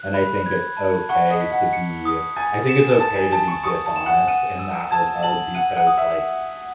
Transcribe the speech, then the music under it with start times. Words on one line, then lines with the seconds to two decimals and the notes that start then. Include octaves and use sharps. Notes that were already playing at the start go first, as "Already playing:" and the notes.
and I think it's okay to be I think it's okay to be dishonest in that regard because, like,
Already playing: F#6
0.14 B5
0.46 G#6
0.77 A5
1.09 F#5 C#6
1.30 D#5
1.41 B6
1.52 F#5
1.73 C#7
2.05 D#6
2.37 G#5 A6
2.69 E7
3.00 A5 A6
3.16 G#5
3.32 G#5 A5
3.48 C#6
3.63 C#6 D#6
3.85 A5
3.96 E7
4.06 F#5
4.27 F#5 D#7
4.59 E6
4.91 A5 G#6
5.23 A5 F#7
5.55 F#5 D#7
5.77 F#5
5.87 D#6
5.97 E5